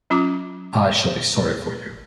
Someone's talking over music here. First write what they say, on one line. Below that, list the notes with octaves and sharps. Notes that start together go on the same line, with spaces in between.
I shall be sorry for you.
F#3 C#4 F4 A#5 D6